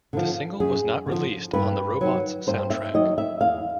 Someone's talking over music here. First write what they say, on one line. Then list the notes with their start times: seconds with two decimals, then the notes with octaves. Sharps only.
The single was not released on the "Robots" soundtrack.
0.13 D3 F3
0.60 F#2 G#4
1.06 D3 F3
1.53 G2 B4
2.01 D#3 F#3
2.47 G2 C5
2.70 E5
2.94 D#3 F#3 D#5
3.18 E5
3.41 E2 F5